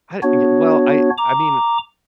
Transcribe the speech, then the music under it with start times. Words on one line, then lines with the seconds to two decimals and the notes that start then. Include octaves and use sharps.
I y well, I I mean,
0.23 B3 D4 F#4 C#5
1.18 A#5 D6